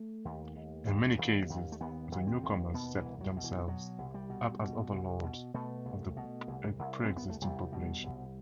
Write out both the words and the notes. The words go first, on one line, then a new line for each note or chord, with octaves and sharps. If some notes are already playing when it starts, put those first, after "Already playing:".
In many cases, the newcomers set themselves up as overlords of the pre-existing population.
Already playing: A3
D#2
D#2
D#2
D#2
D#2
A3
D#2 B3
D#2
C4
D#2
B2 B3
E3
C2
F#3
B2
E3
B2 F#3
C2
G3
B2
B2
C2
B2
B2 A3
C2
B2
C2
C2
C2 C4
B3
A3
C2 G3
B2
C2